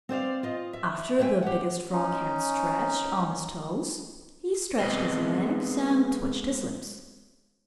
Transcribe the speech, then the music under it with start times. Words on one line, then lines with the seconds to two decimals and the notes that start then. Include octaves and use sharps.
After the Biggest Frog had stretched all his toes, he stretched his legs and twitched his lips.
0.09 C4 C5 D5 F5
0.43 F4 D#5
0.73 E5
1.18 C5 C#5 E5 F5 G5 G#5
1.43 G4 F#5
1.92 C#4 D#4
4.78 G#3 B3 C4 B4 C5 D#5